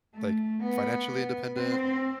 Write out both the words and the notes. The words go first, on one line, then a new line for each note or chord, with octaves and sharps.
like, financially independent.
A3
B3
C4